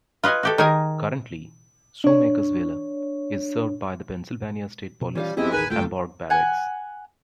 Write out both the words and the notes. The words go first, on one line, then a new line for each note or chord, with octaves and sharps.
Currently, Shoemakersville is served by the Pennsylvania State Police - Hamburg Barracks.
F4 B4 D#5 F#5 G#5
F#4 G4 A4
D#3 D#4 G#4 A#4 G#5
D4 C#5
B2
E3 G3 C#4 F4 F5
F#1 F2 B3 C#4 E4 G4 G#4 D#5
A1 D#2 D#4 G#4 A#4 B4 G#5
F1 D2 G#2 A3 F4 A4 G5
F#5 G#5